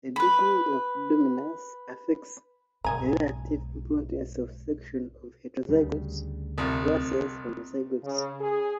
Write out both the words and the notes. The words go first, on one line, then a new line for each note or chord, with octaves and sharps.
The degree of dominance affects the relative importance of selection on heterozygotes versus homozygotes.
B4 B5
B1 G#2 D#5 G#5 A#5
D2 C#3 G3
C2 F2
C#3
G#4